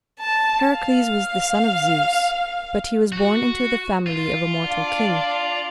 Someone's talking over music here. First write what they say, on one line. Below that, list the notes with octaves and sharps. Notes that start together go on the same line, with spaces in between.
Heracles was the son of Zeus, but he was born into the family of a mortal king.
A5
F5
F#4
F4
D4 D5 F5